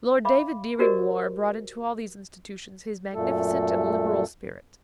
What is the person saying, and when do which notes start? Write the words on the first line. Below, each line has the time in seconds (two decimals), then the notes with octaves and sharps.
Lord David Dirry-Moir brought into all these institutions his magnificent and liberal spirit.
0.25 E5 F5 B5 D6
0.79 F#4 G4 A#4 C5 D5 D#5
3.14 F#2 A#2 A3 A4